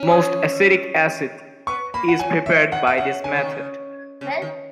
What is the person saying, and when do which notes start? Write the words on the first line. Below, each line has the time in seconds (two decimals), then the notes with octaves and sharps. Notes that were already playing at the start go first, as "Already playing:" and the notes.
Most acetic acid is prepared by this method.
Already playing: C#4
0.11 D#6
1.67 B3 C#6
1.94 A#3 B5
2.08 F#5
2.19 F#3 G#5
2.46 E3 E5
2.72 D#3 F#5
2.87 E5
2.98 C#3 F#5
3.24 C#3 G#5
3.37 D#3
3.50 C#3
4.21 C#3
4.42 D#3